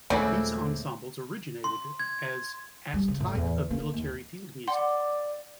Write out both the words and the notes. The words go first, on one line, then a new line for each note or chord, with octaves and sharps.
These ensembles originated as at type of military field music.
D#2 A#2 C#3 G#3 A3 C4 D4 E4
C6
G#6
G3
C#3
A2
E2
A#3
D#2
D5 F#5 C6